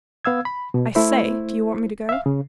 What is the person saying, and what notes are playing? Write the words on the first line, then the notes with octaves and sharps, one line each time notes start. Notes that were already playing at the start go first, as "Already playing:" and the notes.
"I say--do you want me to go?"
B3 F5 E6 G#6
B5
B2
A3 E4 C5
E5 F5
C#3